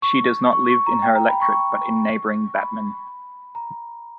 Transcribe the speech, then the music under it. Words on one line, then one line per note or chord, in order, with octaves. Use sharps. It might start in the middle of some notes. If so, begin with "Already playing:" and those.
She does not live in her electorate but in neighbouring Batman.
C#6
C#6
C#6
A#5
G5
A#5
B5
C#6
C#6
B5
A#5